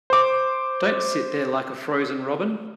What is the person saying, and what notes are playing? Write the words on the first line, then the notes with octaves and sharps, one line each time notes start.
Don't sit there like a frozen robin.
C5 D6